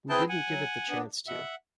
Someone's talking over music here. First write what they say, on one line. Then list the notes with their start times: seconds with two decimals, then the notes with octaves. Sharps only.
We didn't give it the chance to.
0.09 C4 E4 G#4 B4 G5 A5
0.29 F#5 G#5
0.49 F#3
0.88 B3 D4
1.27 B2 E5 F#5